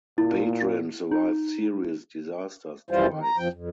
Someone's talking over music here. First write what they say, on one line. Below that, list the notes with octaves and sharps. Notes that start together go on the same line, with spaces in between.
Badran survived serious disasters twice.
A#2 E4
D#4
F#2 E3 G3 F4 C5
D#3
A#5
F2 F3 G5
F2